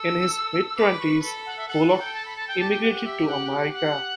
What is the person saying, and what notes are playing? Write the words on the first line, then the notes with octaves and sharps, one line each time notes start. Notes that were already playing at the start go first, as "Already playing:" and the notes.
In his mid-twenties, Bullock immigrated to America.
Already playing: A4 E6
B4 D6
C#6
A4 B5
F#5
E5
A4 F#5
F#5
G5
A5
B5
A5
G5
G4 A5
G5
F#5
F#5
E5
F#5
F#5
F#5